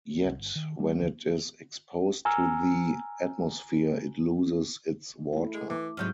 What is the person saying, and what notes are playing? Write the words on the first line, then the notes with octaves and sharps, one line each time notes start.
Yet when it is exposed to the atmosphere it loses its water.
C2
G1
D#3
G3
D2
G#5 A#5 E6 F6
A3 E4
G#3
E3 D6
G#2 C3 F#3 G#3 F6 G6